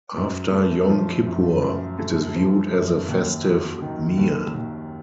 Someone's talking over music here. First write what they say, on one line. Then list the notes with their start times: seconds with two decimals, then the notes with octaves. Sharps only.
After Yom Kippur, it is viewed as a festive meal.
0.16 F#2
0.53 A3
0.90 F3
1.26 F#2
1.62 F#2
1.99 A3
2.36 F3
2.72 F#2
3.09 D#2
3.45 F#3
3.82 D#3
4.18 D#2
4.55 D#2